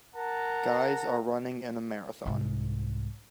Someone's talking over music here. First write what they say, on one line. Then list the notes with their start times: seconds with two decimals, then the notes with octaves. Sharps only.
Guys are running in a marathon.
0.15 A#4 F#5 A5 A#5
2.26 C2 G#2